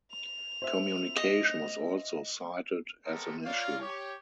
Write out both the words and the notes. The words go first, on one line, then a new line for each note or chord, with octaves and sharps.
Communication was also cited as an issue.
F7
C5 E5
D#5
G#3 A3 B3 C4 A4 A#4
F4 A#4 C#5 D5 F5
G4 C#5